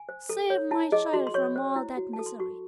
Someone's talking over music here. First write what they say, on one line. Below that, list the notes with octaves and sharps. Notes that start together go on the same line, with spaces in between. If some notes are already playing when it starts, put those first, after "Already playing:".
Save my child from all that misery!
Already playing: G#5
C5
A4
C#5
E4 A5
G#4 D#5
F#4 C6
C6
C#5 C#6
C5
E4
F#4
A5
A4
C6
F#4 C#6